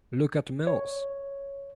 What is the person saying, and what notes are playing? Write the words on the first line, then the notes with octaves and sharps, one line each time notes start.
Look at Mills!
C#5